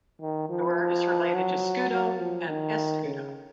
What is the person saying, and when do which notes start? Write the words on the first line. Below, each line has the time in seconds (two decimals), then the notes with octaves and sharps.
The word is related to scudo and escudo.
0.21 D#3
0.49 F3
1.35 F#3
1.91 F#3
2.19 F3
2.47 D#3
3.04 C#3